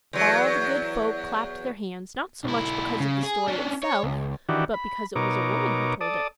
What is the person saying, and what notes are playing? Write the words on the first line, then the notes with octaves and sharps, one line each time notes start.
All the good folk clapped their hands, not so much because of the story itself, but because it was a woman who told it.
E2 F#3
B1 E4
C#3
G#4
C#4 D4
C#5
C#2
D#3 E3 D4 F#4 G4
B5
B2 D#4 A#4 C#5 D6
A4 D5 D#6